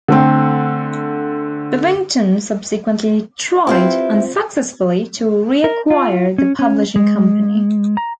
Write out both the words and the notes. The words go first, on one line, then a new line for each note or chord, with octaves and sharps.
Bevington subsequently tried, unsuccessfully, to reacquire the publishing company.
D3 A3 C4
C4 E4 F4 G4 B4 C5
A#4
F4
C#4
C#4
G#3
A#5